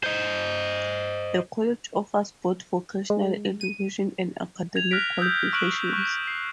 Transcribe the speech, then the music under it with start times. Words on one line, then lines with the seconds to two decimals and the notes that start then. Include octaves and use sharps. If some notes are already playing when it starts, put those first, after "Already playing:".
The college offers both vocational education and academic qualifications.
0.04 C5 D#5
3.10 G#3
3.61 D#7
4.76 G#6 F7
4.91 F6 F#6 A#6 B6 D7
5.18 D#6 E6 G6
5.53 C#6 F6 F#6 D7 F#7
5.93 C#6
6.27 C7